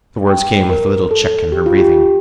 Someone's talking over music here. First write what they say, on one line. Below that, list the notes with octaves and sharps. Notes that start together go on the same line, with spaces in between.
The words came with a little check in her breathing.
G5
A#4
A4
G4
F4
G4